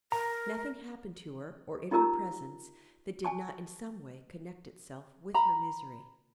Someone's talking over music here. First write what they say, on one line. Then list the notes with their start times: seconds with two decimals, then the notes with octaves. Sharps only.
Nothing happened to her, or in her presence, that did not in some way connect itself with her misery.
0.12 A#4 A#5
1.91 D#4 F4 G4 A#4 A#5 E6
3.25 G#5 A5 C#6
5.34 A#5 B5